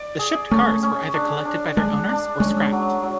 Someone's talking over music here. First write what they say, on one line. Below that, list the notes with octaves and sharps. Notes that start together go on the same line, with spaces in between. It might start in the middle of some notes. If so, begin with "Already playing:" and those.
The shipped cars were either collected by their owners or scrapped.
Already playing: D5
G#4
A3 C#4
C#4
D4
D4
G#3 D4
D4
G#3 C#4
F#3
F#3